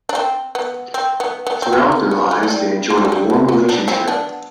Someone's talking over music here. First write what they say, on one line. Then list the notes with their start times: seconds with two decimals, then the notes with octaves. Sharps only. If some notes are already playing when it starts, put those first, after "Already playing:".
Throughout their lives, they enjoyed a warm relationship.
0.09 D4
0.15 C4
0.55 B3
0.94 C4
1.20 B3
1.47 B3
1.62 C4
1.73 B3
1.92 B3
2.11 B3
2.31 A3
2.43 A3
2.50 G3
2.90 A3
2.98 G3
3.05 F#3
3.12 G3
3.30 E3
3.49 F#3
3.69 B3 D4
3.88 C4 E4
4.08 B3 D4